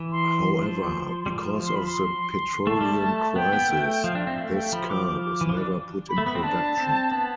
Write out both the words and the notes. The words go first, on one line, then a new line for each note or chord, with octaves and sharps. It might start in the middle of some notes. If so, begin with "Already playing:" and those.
However, because of the petroleum crisis this car was never put in production.
Already playing: E3
C6
F3 C6
G3
F3
C6
B5
C6
A3 A5
G3
A3
B3 G5
B3
A3
F3 F5
D4 E5
C4 E5
A3 F5
G5
F3 B5
D6
D6
E3
F3
D4
B5
A3
B3 B5
C4
D4 A5
C4
B3 A5